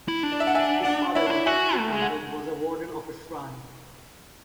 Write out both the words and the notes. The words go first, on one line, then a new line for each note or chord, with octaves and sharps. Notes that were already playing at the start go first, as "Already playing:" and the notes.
His father, Mafizuddin Ahmed, was a warden of a shrine.
E4
D4
D5
E5
F#5
E5 G#5
D5 F#5
E4 C#5 E5
D4
E4
F#4 E5 G#5
A3
G#3
F#5